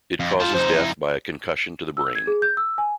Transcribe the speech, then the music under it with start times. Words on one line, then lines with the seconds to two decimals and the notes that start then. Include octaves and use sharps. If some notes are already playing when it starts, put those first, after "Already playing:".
It causes death by a concussion to the brain.
0.20 F2
0.40 F4 A4 C5
0.54 F2 D#4 C5
0.75 E4
1.97 E6
2.15 G#6
2.27 G#4
2.42 G6
2.57 E6
2.78 G#5